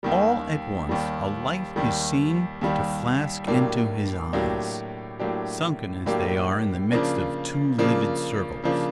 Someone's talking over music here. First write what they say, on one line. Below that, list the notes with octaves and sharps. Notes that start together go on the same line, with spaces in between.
All at once a light is seen to flask into his eyes--sunken as they are in the midst of two livid circles.
D#2 D#3 G3
D#2 D#3 G3
D#2 D#3 G3
D#2 D#3 G3
A2 F#3 A#3 D4 G4
A2 F#3 A#3 D4 G4
A2 F#3 A#3 D4 G4
A2 F#3 A#3 D4 G4
C#3 F3 A#3 D4
C#3 F3 A#3 D4
C#3 F3 A#3 D4